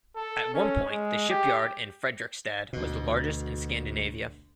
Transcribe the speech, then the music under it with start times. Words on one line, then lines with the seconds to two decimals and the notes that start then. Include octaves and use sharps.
At one point the shipyard in Fredrikstad was the largest in Scandinavia.
0.16 A4
0.54 C#4
0.90 G#3
1.30 G4
2.73 D2 B2